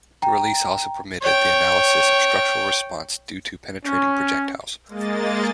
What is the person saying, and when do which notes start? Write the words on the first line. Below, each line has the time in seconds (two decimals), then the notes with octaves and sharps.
The release also permitted the analysis of structural response due to penetrating projectiles.
0.22 G5 A#5
1.22 C#5 G5
3.86 C#4
4.88 G#3 A#3 D#5 A6